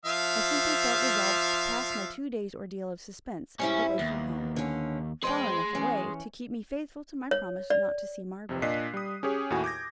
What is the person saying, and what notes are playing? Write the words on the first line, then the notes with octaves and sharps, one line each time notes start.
I simply felt resolved to pass my two days' ordeal of suspense away from home--far enough away to keep me faithful to my promise not to see Margaret.
F3 E5 F5
G#2 G3 C#4 E4
D#2 B3
D3 C#4
F2 G#4 B4 G5 C6
E3 C#4
C#5
D5
F2 C3
A#2 D4 D#5 F#6 B6 C7
G3 D#6
C#4 G4 G#4 C#5
D#2 A2 E4 F#4 G#5
D6 G6 G#6 A#6